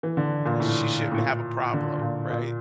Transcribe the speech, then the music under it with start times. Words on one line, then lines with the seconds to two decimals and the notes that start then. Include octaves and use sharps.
uh, she shouldn't have a problem, right?
0.03 E3
0.17 D3
0.45 A#2
0.60 A2
1.11 A2
1.16 A#2
1.73 D3
2.01 A#2
2.30 A#2